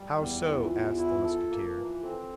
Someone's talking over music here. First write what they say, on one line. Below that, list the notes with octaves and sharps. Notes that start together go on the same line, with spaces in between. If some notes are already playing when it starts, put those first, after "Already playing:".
"How so?" asked the Musketeer.
Already playing: G3
E2 E4
E3 E4
F4
E2 F4
G4
E4 F4
A4
A#3
E3
C4 A4